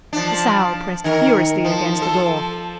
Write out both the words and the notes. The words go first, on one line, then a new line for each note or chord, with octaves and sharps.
The sow pressed furiously against the door.
F3 D4
D#3 A#4
F3
F3 A4